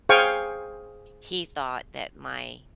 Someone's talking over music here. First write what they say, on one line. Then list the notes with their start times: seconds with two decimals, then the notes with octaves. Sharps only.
he thought that my
0.09 G#4 C5 F5 G5 G#5 C#6